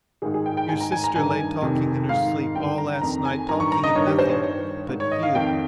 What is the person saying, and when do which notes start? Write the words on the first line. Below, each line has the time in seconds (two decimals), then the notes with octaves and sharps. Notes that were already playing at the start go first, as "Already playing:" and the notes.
Your sister lay talking in her sleep all last night, talking of nothing but you.
0.22 G#2 D#3 G#4
0.34 G#4
0.46 G5
0.57 G5
0.69 G#2 D#3 G#5
0.81 A#5
0.92 G#5
1.04 A#5
1.15 G2 D#3 G#5
1.62 F2 C3 D#3
2.09 G#2 D#3 F5
2.55 G2 D#3 G5
2.78 A#5
3.01 F2 D#3 A#5
3.25 G#5
3.49 G2 D#3 A#5
3.60 C#6
3.72 A#5
3.84 D#5
3.95 G2 D#3 C#5
4.07 G4
4.19 C5
4.30 C#5
4.42 G2 D#3
4.89 G#2 D#3
5.00 C#5
5.12 D#5
5.23 F5
5.35 F2 D#3 G5